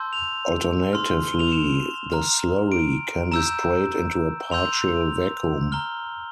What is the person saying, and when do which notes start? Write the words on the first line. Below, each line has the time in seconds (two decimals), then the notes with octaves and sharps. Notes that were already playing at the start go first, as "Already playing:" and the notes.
Alternatively, the slurry can be sprayed into a partial vacuum.
Already playing: A5 C6 E6 G6
0.13 F7
0.93 C6 F6
1.27 G7
1.39 F7
1.52 E7
2.12 A#5 F6
2.72 D7
3.32 A#5 E6 G6 E7
4.51 C6 E6 G6 F7
5.72 A#5 F6 G7